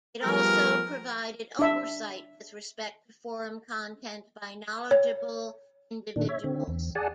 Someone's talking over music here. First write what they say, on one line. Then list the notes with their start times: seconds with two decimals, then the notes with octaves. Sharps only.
It also provided oversight with respect to forum content by knowledgeable individuals.
0.23 F3 G3 A3 B3 G#4 A#4
1.59 D4 E5
4.91 C#5
6.16 A#2 D#3 D4
6.29 C#5 E5
6.44 D3 C4
6.68 E2
6.95 G#4 D5 F#5 G#5 A5